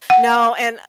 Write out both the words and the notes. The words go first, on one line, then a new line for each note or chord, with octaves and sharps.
No, and,
F#5